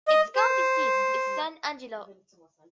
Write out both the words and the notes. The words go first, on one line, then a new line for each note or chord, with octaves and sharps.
Its county seat is San Angelo.
D#5
C5